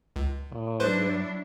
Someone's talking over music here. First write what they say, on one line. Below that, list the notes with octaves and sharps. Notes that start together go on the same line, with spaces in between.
Oh, yeah.
C#2
F#3 D4 E4 B4 C5 C6